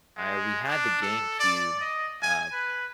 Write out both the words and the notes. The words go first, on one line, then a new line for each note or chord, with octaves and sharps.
I we had the GameCube, uh
G#3
D4
A4
D5
D#5
G#5
B4